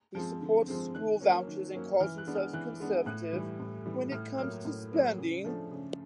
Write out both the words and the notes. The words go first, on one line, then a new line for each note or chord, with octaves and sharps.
He supports school vouchers and calls himself "conservative when it comes to spending".
F3 G#3 C4
D3
F3 G#3 C4
D#3 F#6
F#3 A#3 C#4
D#3
F#3 A#3 C#4
E3 F6
F#6
G#3 B3 D4
F6
E3 F#6
G#3 B3 D4
A2 F#6
E3 G3
A2
E3 G3
A2 F6
F#3 A#3 F6
A2
F#3 A#3
C#3
F3 A3 D4
C#3